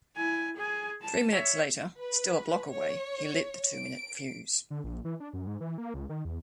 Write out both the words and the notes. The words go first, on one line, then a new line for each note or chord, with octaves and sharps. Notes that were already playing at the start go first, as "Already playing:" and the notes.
Three minutes later, still a block away, he lit the two-minute fuse.
E4 G#5
G#4 G#5
A5
C#5 E5
B4
C#5
D7
D3
A#1
E3
D4
F#2
G#2
E3
A#3
C#2
D#3
E2